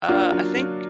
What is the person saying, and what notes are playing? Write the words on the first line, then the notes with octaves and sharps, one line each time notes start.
Uh, I think
A#3 D4 F4
F#3
F#3